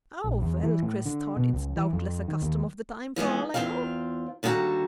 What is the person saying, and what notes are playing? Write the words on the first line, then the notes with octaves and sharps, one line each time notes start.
Oh well, Chris thought, it's doubtless a custom of the time for all I know.
A#1
E2
E3
A2
D3
B2
C#2
E3
F2
D#3
D#2
E3 F3 G#3 B3
E2 G2 C4 F4 F5
D#2 D3 G3 F#4 A5 A#5